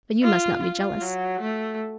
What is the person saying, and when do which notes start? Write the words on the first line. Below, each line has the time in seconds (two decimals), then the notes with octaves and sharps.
"But you must not be jealous."
0.23 F4
0.63 F4
1.01 F#3
1.41 A3